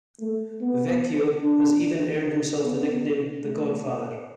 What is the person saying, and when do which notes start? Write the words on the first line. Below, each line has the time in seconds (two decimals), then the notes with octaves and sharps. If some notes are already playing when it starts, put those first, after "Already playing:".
Vecchio has even earned himself the nickname "the Godfather".
0.20 A3
0.61 B3
1.41 D4
2.63 B3
3.43 A3